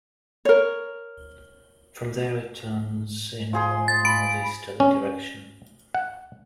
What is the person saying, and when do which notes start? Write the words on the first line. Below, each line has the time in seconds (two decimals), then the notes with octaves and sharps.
From there it turns in a more northeasterly direction.
0.45 A#4 C#5
3.53 F3 G#4 C6
3.88 A6
4.05 B5 D7
4.80 C#4
5.95 F#5